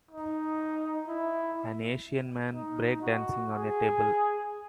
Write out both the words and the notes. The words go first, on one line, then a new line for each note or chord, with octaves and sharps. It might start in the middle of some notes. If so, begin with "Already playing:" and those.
An Asian man breakdancing on a table.
D#4
E4
D#4
F#4
G#4